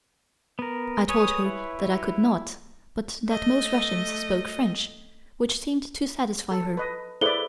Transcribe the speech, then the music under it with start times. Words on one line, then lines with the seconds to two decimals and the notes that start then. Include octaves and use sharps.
I told her that I could not, but that most Russians spoke French, which seemed to satisfy her.
0.59 B3 A#4
1.09 B4 C#5 G#5 D#6
1.45 E4
3.28 A3 D#5
6.51 A4
6.77 B4 D#5
7.21 E4 G#4 A4 B4 C5 D5 G7